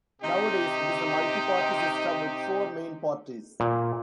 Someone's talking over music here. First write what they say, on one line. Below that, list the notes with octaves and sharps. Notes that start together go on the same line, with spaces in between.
Nowadays it is a multi-party system with four main parties.
C3 D#4 G4
A#2